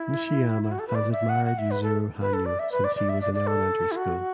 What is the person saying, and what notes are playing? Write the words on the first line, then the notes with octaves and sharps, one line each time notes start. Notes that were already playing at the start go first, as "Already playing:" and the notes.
Nishiyama has admired Yuzuru Hanyu since he was in elementary school.
Already playing: E4
E4
F#4
A4
B4
D5
E5
F#5
F#5
E5
B4
A4
B4
A4
D5
E5
B4
D5
D5
E5
D5
D5
A4
E4
F#4